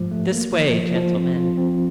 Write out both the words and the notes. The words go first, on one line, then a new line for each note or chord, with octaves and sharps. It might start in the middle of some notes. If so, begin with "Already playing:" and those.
'This way, gentlemen!
Already playing: G#2 F3 G#3 A3
A3
A#3
F3
F3
F3
C4
F4
C4